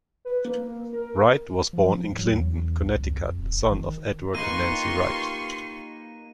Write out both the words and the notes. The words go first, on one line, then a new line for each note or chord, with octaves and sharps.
Wright was born in Clinton, Connecticut, son of Edward and Nancy Wright.
B4
A#3
A#4
F3
G#2
F#3
E2
A#1
C#2
F2
D#1
G1
D#3
A#3 D#4 F4 G4 B4 C6 C#6 D#7